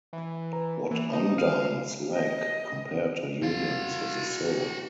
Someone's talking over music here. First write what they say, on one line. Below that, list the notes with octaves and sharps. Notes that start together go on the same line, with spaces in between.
What undines lack, compared to humans, is a soul.
E3
B4 A#5
E3 A#3
D#4
F5
D#5
F#4 F5